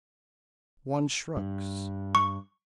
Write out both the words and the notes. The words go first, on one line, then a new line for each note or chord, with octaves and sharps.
One shrugs.
G2
C#6